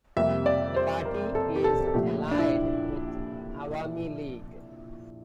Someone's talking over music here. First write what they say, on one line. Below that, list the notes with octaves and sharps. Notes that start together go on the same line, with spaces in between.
The party is allied with Awami League.
F2 C3 G3 A#3 E5
D5
C5
A#4
A4
G4
A4
A4
A#1 A#2 A3 G4
D4
E4